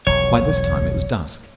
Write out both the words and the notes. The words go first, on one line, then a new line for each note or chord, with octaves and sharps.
By this time it was dusk.
E1 B1 F3 C#5